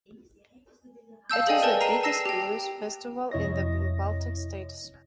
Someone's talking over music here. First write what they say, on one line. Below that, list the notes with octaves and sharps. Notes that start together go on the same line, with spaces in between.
It is the biggest blues festival in the Baltic states.
F5 A5 E6 G6
G#4 A4 D5 D#5 G5 G#5
A#4 B4 D5 G5 A5
A#5 C7 D#7
A5 E6 A#6 C7 E7
G4 G5
F2 C3 E4 C#5 D#5 A#6